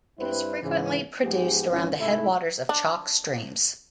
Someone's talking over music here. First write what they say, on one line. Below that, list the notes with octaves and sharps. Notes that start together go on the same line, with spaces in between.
It is frequently produced around the headwaters of chalk streams.
G2 G3 C4 E4 B4 C5
G#2 C#3 E3
G#2 F3 B3 G4 G#4
G#1 C#3 F3
G#2 C3 G#3 A3 E4
D4